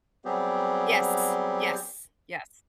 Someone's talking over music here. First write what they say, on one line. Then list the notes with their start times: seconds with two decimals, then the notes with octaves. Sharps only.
Yes. Yes. Yes.
0.25 F#3 G3 B3 C4 G4 G#4